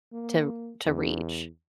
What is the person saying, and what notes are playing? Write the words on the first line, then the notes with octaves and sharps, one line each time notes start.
to to reach."
A#3
E2